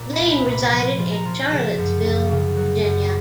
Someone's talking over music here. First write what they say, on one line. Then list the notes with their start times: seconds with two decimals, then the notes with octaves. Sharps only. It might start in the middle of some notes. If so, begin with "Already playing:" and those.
Lane resided in Charlottesville, Virginia.
Already playing: A#2
0.13 B5
0.19 C2
0.32 B5
0.45 A#2
0.53 B5
0.72 F3 B5
0.99 F3
1.12 A#5
1.25 F3
1.51 C#3 A5
1.78 F#2
2.05 F#2
2.31 C#3
2.56 F#3
2.84 F#2